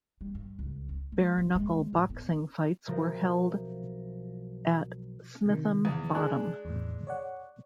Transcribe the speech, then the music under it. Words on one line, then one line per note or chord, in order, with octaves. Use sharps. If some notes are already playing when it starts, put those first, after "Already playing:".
Bare-knuckle boxing fights were held at Smitham Bottom.
G3
G2
C#2
C#4
G#3
F#3
G#3
A2
B3
B1 F3 A#4 C5 E5
C3 D#3
E2
G#3 D4 G#5 A5 F#6
E2 A2
C#5 D5 F#5